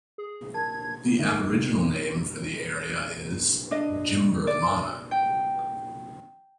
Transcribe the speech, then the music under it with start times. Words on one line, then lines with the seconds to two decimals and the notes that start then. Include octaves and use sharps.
The Aboriginal name for the area is "Jimberlana".
0.18 G#4
0.54 A#4 A5 G#6
1.19 D#3
3.71 D4 D#5
4.47 D5
5.11 G5